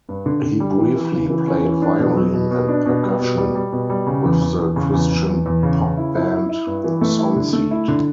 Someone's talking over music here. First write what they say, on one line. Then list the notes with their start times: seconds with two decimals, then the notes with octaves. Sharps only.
He briefly played violin and percussion with the Christian pop band Sonseed.
0.09 G2
0.26 D3
0.43 D3
0.60 G3
0.78 E3
0.95 E3
1.12 C#3
1.30 E3
1.47 C#4
1.65 E3
1.82 D4
1.99 B2
2.16 F#3
2.34 B2
2.51 B2
2.69 D4
2.85 B2
3.03 G3
3.20 B2
3.38 G3
3.55 G3
3.72 B2
3.90 G3
4.07 C#3
4.24 E2
4.41 E2
4.58 E2
4.76 C#3
4.93 E2
5.11 E2
5.29 E2
5.46 E2
5.63 C#3
5.80 C#3
5.97 E4
6.15 E4
6.32 E4
6.49 E4
6.67 G2
6.84 E3
7.01 A3
7.19 E4
7.36 D3
7.53 A3
7.71 E4
7.88 D3